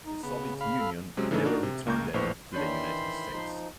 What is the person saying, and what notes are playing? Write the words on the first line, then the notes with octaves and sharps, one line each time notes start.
The Soviet Union never returned them to the United States.
D#4
C#3 B3
F5 B5
A4
C3 F#3 G#3 C4 C#4
C#3 E3 A3 D4 D#4 A4
D4 D#4 F#4 A#4 D6
C3
C#2 A#3 A#5 C#6 G6
A#1 A2 B4 C5 C#6
D#3 E3 D4 C5 C#5 B5 C6 G6
F3 D#4